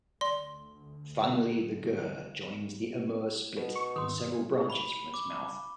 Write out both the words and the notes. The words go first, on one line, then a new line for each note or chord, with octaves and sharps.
Finally the Gur joins the Amur split in several branches from its mouth.
D2 D5 C6
B2
C#6
G#2 D#3 C6 D#6
B5 G7
D6